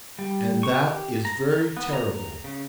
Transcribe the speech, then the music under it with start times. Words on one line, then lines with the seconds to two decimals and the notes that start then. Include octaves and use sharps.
And that is very terrible.
0.19 G3
0.63 C#6
0.85 G4
1.25 A#5
1.77 B3
1.93 A#5
2.44 C#3